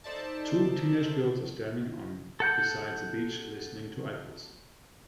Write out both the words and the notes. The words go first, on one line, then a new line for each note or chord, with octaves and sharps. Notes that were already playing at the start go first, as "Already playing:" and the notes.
Two teenage girls are standing on beside the beach listening to ipods.
D#4 A4 C5 D5 E5 A5
A4 F#5 G6